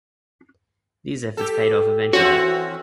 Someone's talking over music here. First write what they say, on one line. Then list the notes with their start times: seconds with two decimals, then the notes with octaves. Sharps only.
These efforts paid off eventually.
1.37 G4 A4
2.13 E3 C4 C#4 F#4